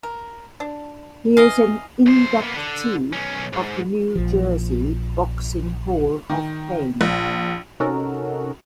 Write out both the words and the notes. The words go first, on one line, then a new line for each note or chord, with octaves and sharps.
He is an inductee of the New Jersey Boxing Hall of Fame.
A#4
D4
E3 D#5 F5 G#5
F#2 C5
A#3 B3
D3
B1 C#4
G#2
A#1 F3
D#3
A#1
C3 C#4 D#4 F#4 A4 A#4